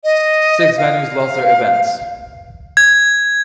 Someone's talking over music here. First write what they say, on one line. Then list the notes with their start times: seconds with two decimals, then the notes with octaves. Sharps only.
Six venues lost their events.
0.04 D#5
0.77 F5
2.77 G#6